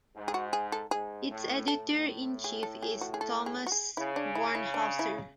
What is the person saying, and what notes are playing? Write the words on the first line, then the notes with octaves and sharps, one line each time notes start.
Its editor-in-chief is Thomas Bornhauser.
G#2
G#4
F#4
G#4
A4
G#2 G#4
A2
A2 A4
G#4
A4
G#4
F#4
G#4
A4
G#4
F#4
G#4
C#3 E4
D4
E4
E4
D4
E4